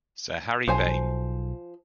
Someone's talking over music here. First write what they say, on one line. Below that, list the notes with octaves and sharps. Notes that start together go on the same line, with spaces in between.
Sir Harry Vane!
B1 F3 C5 G#5